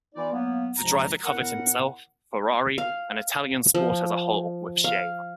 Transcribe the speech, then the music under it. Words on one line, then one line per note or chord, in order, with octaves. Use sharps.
The driver covered himself, Ferrari and Italian sport as a whole with shame.
E3 B3 D#4 F4 D5
F#3 A#3 B3
C#2 G2 C3 F3 A#5
A2 B3 A#4 F#5
F5
F3
F5